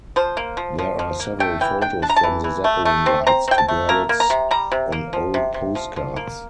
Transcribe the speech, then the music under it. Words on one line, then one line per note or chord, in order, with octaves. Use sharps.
There are several photos from the Zeppelin rides to Görlitz on old postcards.
F3 C5
A#3
F3
F3
F3
A#3
A3 G5
E3 G5
D4 G5
D4 A5
A#5
A5
E3
E3
A3
A3
C4
C4 A#5
C4 G5
A5
A3
A#3 A#5
A#3
A#5
C3
G3 A#5
C3
A#3
F3
C3
C3
F3
F3
A#3